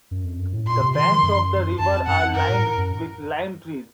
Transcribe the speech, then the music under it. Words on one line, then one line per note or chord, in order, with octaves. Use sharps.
The banks of the river are lined with lime trees.
F#2
F2
F#2
A2
A#2 C6
C3
D#3 C6
F3
D#3
F#2
F#2 A5
F2
F#2 F#5
F2
F#2 A#4
A2
F#2